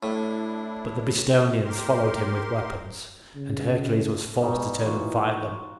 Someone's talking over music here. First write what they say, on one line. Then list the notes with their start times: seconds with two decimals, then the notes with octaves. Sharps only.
But the Bistonians followed him with weapons, and Hercules was forced to turn and fight them.
0.03 A2 D4 E4
1.65 G4 A#4 C6
3.36 C#3
3.76 D2 A3
4.42 B2 G3 G#3 B3 D#4 F#4
4.83 A#2 E3 D#4 F4 F#4